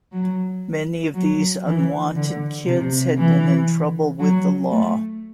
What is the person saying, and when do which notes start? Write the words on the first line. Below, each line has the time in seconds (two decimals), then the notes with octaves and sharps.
Many of these unwanted kids had been in trouble with the law.
0.13 F#3
1.14 F#3
1.65 E3
2.16 D3
2.67 C3
3.18 E3
4.20 F#3
4.71 A3